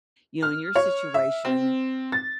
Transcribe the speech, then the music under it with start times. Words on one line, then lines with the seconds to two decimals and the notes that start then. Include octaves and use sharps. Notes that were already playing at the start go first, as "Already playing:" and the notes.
you know, in your situation,
0.43 F6
0.75 C#5
1.14 E5
1.45 C4
2.12 A6